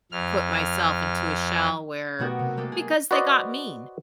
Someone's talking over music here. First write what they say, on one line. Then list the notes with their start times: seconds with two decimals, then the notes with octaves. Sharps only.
put myself into a shell where because they got mean.
0.12 F2 F6
2.19 B2 A3 B3 F#4 G4 A#4
2.39 C3
2.57 G#3 A#3 G4 A4
2.72 G#4
3.11 F#4 B4 C5 D5 D#5